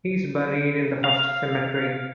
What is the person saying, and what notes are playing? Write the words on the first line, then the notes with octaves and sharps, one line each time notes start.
He is buried in the First Cemetery.
F5